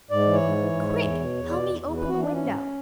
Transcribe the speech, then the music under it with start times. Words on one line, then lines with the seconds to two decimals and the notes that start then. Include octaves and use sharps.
"Quick, help me open the window."
0.11 G#2 D5
0.26 E3
0.33 C#5
0.42 G#2
0.57 E3
0.72 G#2
0.88 E3
1.04 E2
1.19 B2
1.35 E2
1.50 B2 D5
1.66 E2
1.81 E2
1.97 E3 B4
2.08 E3 F#4
2.21 D4
2.28 E3 C#4
2.44 G#2